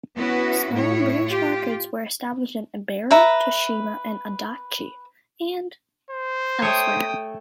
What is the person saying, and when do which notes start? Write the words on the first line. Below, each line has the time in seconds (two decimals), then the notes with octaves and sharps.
Smaller branch markets were established in Ebara, Toshima, and Adachi, and elsewhere.
0.17 B3 C#4 E4 F#4 B4
0.72 A2 E4 C#5
1.26 F4 G4
3.11 B4 E5 A#5
6.10 C5
6.62 A3 C#5 G5 D#6